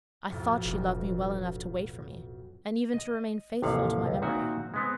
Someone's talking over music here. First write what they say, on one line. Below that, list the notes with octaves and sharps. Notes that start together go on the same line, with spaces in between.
I thought she loved me well enough to wait for me, and even to remain faithful to my memory.
B1 F2 A2
E1
D#5
A1 D#2 C3 F3 F5 F#5
C#2
A#2 D#3 C4 F#4 E5
G#3 B3 C4